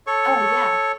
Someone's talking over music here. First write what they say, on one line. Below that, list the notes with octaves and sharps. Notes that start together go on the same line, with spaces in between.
Oh, yeah.
A4 C#5 C#6